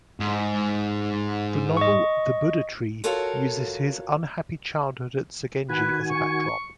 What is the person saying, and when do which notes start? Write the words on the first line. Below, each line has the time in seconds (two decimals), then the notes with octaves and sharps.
The novel "The Buddha Tree" uses his unhappy childhood at Sogenji as a backdrop.
0.20 G#2
1.77 D#5 C#6
3.04 F4 F#4 A4 A#4 C#5 F5
5.69 D#3 F#4 B4 G#5
6.11 C#6